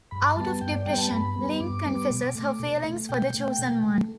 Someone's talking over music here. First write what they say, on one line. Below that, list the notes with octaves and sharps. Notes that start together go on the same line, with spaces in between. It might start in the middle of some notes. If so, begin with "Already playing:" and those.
Out of depression, Ling confesses her feelings for The Chosen One.
G2 B5
G3 B3 A5
G2 G5
D5
G3 B3 G5
A5
G2 B5
G3 B3
G2 D6
G3 B3
B2
A3
B2
A3
B2 G5
A3
B2
A3